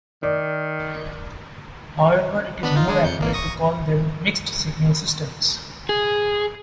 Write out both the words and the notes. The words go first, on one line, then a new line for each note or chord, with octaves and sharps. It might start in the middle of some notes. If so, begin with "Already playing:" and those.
However, it is more accurate to call them mixed-signal systems.
D#3 D5
B3 D4 B5
D#4 F4
G#3 D4 G#4
F2 G6 C#7
G#1 A#3
C#6 D#6 A#6
G#4